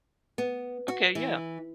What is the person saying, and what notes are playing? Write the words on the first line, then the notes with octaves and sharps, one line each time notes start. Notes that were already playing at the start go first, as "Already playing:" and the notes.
Okay, yeah.
B3
F#4
E3